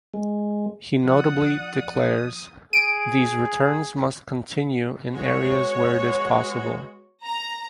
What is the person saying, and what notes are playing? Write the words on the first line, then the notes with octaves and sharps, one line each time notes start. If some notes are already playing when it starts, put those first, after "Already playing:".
He notably declares "These returns must continue in areas where it is possible".
G#3
F3 D5 F#5 D#6
G#4 D7 D#7
G#3 B3 F#4 C#5
A#5